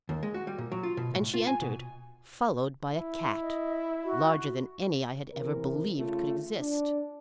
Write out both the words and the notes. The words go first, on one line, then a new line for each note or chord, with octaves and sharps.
And she entered, followed by a cat, larger than any I had ever believed could exist.
D#2
G#3
F#4
G3
A#2
F#3
F4
B2
A2
F4
G#5
B2
E4
D#5
F#4
C3 E3 A#4
C#3 A3 F4
D4